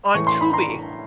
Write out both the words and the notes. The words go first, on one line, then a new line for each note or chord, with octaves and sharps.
on Tubi
A2 E3 C#6
C6
B5
A#5 C6